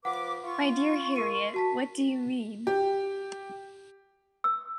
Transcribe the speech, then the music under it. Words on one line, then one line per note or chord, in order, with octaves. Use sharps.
My dear Harriet, what do you mean?
F3 B4 F#5 D6
F4 C#6
A#4 D#7
F#4 A5 B6
G4
E6